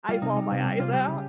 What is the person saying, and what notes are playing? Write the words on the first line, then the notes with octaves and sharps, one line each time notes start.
I bawl my eyes out.
G3 F4
C3 D#4
G3
C3
G3
C3 F4
G3 G4
C#3